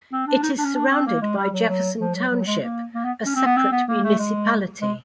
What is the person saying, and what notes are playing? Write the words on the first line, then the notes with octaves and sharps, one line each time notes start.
It is surrounded by Jefferson Township, a separate municipality.
C4
D4
D#4
D4
C#4
D4
C4
A#3
G#3
G3
F#3
F#3
F3
F#3
F#3
G#3
A#3
A#3
B3
C#4
C4
B3
C4
B3
A#3
A3
G#3
G#3